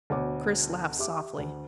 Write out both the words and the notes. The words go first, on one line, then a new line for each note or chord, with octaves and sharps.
Chris laughed softly.
D2 B2 C#5 D6
G4 E5 D6
D2